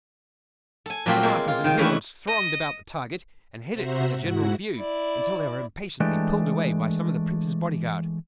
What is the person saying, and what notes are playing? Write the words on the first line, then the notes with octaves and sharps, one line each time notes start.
The markers and heralds thronged about the target and hid it from the general view until they were impatiently pulled away by some of the Prince's bodyguard.
A4 G#5
A#2 F#3 A3 C4 F4 G4
G#3 A#3 C5
F4
D#3 G5
E3 G#3 A3 C#4 D4 E4
D#5
C3 F#4 C5 E5 F#5 A#5
G#2 E4 F#4 F#5
E4 D5
E3 G#3 A3 D4 G4